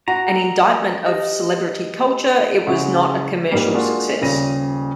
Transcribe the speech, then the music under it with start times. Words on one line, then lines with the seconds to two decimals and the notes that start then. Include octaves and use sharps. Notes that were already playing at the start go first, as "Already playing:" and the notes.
An indictment of celebrity culture, it was not a commercial success.
0.08 F#4 A#5
1.06 G4 D#5
2.67 C#3 G#3 E4 F#4 G#4
3.51 G#2 G3 A#3
3.74 G#3 A#3 D4 F4 F#4
4.22 D#1 C#3 D5 A#6 D#7